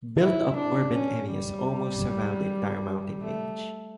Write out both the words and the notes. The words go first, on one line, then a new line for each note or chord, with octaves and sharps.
Built up urban areas almost surround the entire mountain range.
E4
D4
C#4
G3
A3